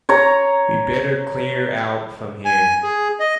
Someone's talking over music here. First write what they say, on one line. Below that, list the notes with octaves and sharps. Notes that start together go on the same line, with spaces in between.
We'd better clear out from here!
C#5 A#5
G#5
G#4
D#5